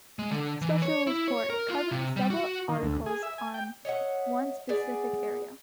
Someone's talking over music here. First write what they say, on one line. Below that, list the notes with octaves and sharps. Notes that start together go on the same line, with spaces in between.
Special Report: Covering several articles on one specific area.
G#3
D3
E3
C#5
E4
C#5
A#4
F4
C3
G3
F#4
D#3
D2
G#4
E5
G#5
G5
C#5 D#5 E5 F#5
B3 G#4 D5